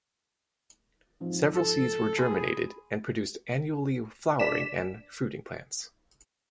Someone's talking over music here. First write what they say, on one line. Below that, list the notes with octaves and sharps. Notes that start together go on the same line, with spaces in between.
Several seeds were germinated and produced annually flowering and fruiting plants.
G#2 F3 C4
A4
G#4 B5 C6 D#7
D4 D5 B6 E7